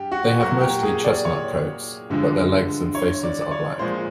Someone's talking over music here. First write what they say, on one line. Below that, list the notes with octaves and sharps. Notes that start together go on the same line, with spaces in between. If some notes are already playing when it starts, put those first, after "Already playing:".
They have mostly chestnut coats, but their legs and faces are black.
Already playing: G2 G4
F#4
A#2 F#3 F#4
G4
G#4
D5
C#5
G2 D3 F3 G#3
C#5
D5
D5
C#5
A#2 F3 G#3 C5